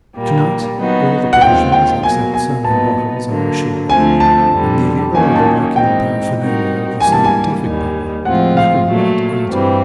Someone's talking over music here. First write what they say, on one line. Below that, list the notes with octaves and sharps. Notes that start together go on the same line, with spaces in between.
To-night all the provisions except some in bottles are ashore and nearly all the working paraphernalia of the scientific people--no light item.
A#2 G3 A#3
F#3 B3 D#4 F#4
F#5
D#2 D#3 G#3 C4 F4 G5
G5
B2 F#3 A#3 G#5
G#5
A#2 F#3 B3 D#4 A5
D3 F#3 A#3
D2 D3 F3 A3 C4 G#5
A5
F2 D3 G3
D#3 F#3 A#3 C#4 G#5
A5
G#5
G#2 E3 G#3 C4 D#4 G5
G3 C4 D#4 F#4 A#4
G#2 E3 G3 A#3 D4 G#5
A5
G#5
D#2 D#3 G3
A2 F3 G#3 C4 F4 F#5
F5
A#2 F#3 A3
G2 E3 G3 C4